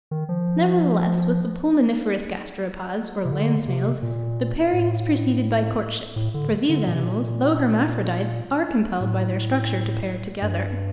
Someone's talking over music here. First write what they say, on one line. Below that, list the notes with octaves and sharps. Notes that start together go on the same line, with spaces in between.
Nevertheless with the pulmoniferous gasteropods, or land-snails, the pairing is preceded by courtship; for these animals, though hermaphrodites, are compelled by their structure to pair together.
D#3
F3
C3
D3
C3
A#2
A2
A2
D3
D3
A#2
C3
A#2
A2
G2